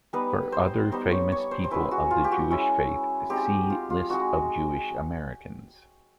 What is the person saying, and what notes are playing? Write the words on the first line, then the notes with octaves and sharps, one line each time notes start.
For other famous people of the Jewish faith, see List of Jewish Americans.
G3 B3 D#4 B4
C5
G3 B3 D#4 C5
C#5
C#5
C5
C5
G#3 C#4 E4 B4
F#4
F4
G4
F#4
G#3 C#4 E4
G#3 C4 D#4 G4
F4
F4
G#3 C4 D#4 F#4